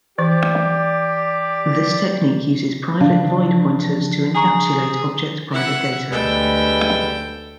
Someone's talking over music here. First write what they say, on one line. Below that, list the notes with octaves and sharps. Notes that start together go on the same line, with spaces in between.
This technique uses private void pointers to encapsulate object private data.
E3 G4 D5
C#3 E3 F3 D4 F5
G#4 G#5 A#5 C#6
E4 F#5
D2 G3 G#3 A4 B4 G5